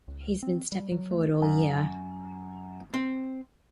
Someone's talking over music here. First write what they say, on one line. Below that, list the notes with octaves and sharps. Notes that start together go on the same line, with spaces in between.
He has been stepping forward all year.
C#2
C4
G3
F#3
A3
F#2
C4